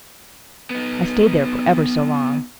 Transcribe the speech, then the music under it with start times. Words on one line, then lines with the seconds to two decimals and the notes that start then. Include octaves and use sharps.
I stayed there for ever so long.
0.70 B3 D#4